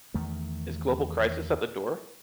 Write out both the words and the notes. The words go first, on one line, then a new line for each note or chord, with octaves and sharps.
Is global crisis at the door?
E2 D#3 A3